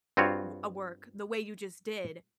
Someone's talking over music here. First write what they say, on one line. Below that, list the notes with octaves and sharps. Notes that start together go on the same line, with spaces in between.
w a work the way you just did,
G2 C4 F4 F#4 C#5